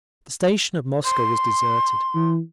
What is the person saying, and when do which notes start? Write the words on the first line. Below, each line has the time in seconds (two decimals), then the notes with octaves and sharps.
The station at Moscow was deserted.
1.05 C6
2.15 E3